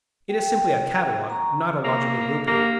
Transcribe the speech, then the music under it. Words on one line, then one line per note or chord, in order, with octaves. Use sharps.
It is simply a catalogue, not a logical grouping.
G5
A#5 C#6
A#3
A#3 G4